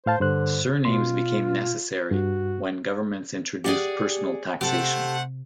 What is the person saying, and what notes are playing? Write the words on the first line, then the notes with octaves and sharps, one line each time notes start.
Surnames became necessary when governments introduced personal taxation.
A2 C5 F5 A5
G2 D3 C5 F#6
B2 F4 C6
G2 F#4
G4 G#4 D5 F#5
C3 A3 G4 A4 C5 F#5